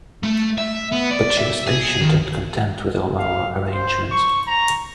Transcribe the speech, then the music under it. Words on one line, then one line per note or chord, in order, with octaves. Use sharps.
But she was patient and content with all our arrangements.
A3
E5
B3
D5
E5
G#4
D#3
F5
C5
C#6
A#5